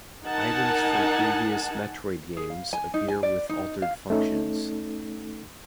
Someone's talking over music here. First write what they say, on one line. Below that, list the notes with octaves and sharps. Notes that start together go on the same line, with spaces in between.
Items from previous "Metroid" games appear with altered functions.
D#4 A#4 F#5 G#5 A5
G#4
F5
G#5
D#4
G#5
D5
D#4
F5
A3 C#4 D#4 A4